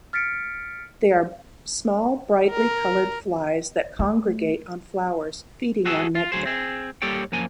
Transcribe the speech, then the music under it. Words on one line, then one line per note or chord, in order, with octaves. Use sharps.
They are small, brightly coloured flies that congregate on flowers, feeding on nectar.
F6 A6 B6 C#7 D7
A#4
A3
F#4 G#4 A4 E5
F4
D2 G2 F#3 G#4 C5
C4 G#4
G3 A#3 G4 A4 C#5 G5
F#2 F3 A#3 G#5